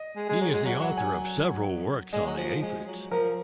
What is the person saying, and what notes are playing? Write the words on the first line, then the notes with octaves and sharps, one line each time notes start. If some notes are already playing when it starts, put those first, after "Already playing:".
He is the author of several works on the aphids.
Already playing: D#5
G#3
G#3
F#3
G#3
F#3 F#5
F#5
G#5
G#3 D#5
F#3
F3
F3
G#3
F#3
F3 A#4